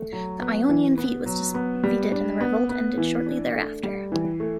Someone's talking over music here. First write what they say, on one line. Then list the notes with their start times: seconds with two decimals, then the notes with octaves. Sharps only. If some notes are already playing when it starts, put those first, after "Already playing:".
The Ionian fleet was defeated and the revolt ended shortly thereafter.
Already playing: A3
0.13 F#3
0.41 B3
0.69 E3
0.98 B3
1.26 F#3
1.54 B3
1.83 G3
2.12 D4
2.41 B3
2.69 B3
2.98 E3
3.26 D4
3.55 A3
3.83 G3
4.12 E3
4.40 A3